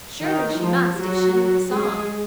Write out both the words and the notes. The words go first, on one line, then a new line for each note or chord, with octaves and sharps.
Surely she must if she knew the song.
D#3 D#4
F3 F4
F#3 F#4
G#3 G#4